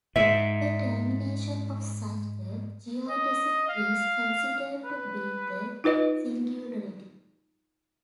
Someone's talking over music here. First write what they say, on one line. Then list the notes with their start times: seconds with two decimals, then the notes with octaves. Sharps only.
The termination of such a geodesic is considered to be the singularity.
0.16 G#2 E5
3.09 D#5
3.68 F5
4.85 B4
5.84 D#4 F4 B4 D#5